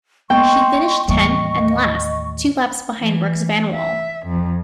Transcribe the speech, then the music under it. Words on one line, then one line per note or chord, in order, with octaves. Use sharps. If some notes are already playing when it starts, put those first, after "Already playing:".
She finished tenth and last, two laps behind Brooks' Vanwall.
G#3 A#3 B3 D#5 G5 C6 C#6
D#2 A2 E3 G3 A#3 D#5 C#6
E3
E5
F2